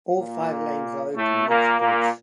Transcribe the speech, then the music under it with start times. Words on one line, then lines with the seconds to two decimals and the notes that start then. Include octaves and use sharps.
All five lanes are open on each bridge.
0.18 A#2 A#3
1.15 A2 A3
1.47 A#2 A#3
1.79 A#2 A#3